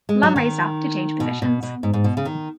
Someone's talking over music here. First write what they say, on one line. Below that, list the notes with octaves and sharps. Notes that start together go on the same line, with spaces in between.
Lum raised up to change positions.
G#3
F#3
D#3
B2
B2
B2
G#2
G#2
B2
C#3
D#3